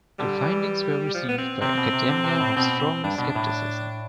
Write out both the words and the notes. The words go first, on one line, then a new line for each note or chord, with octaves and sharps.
The findings were received by academia with strong skepticism.
D3 G3
E3
F3
B3
C4
C3 C4
B2
C3
D3
C3
A2
B2 C4
C4
G2 D4
B2
A2